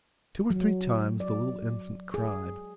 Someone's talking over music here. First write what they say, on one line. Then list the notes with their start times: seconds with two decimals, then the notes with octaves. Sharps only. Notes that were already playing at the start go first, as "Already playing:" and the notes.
Two or three times the little infant cried.
0.50 F#3
1.20 D5
2.14 G#4